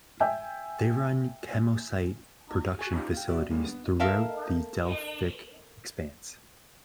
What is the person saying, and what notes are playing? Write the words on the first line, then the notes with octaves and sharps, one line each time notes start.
They run kemocite-production facilities throughout the Delphic Expanse.
E5 G5 G#5 G6
G#5 C#6 F#6
C#4 D#4 F4 G4
F5 G5
B2 B3 F#4 D5 E5
A2 D#3 G3 G#3 A#3
B3
A4 A#4 E5 F5 A5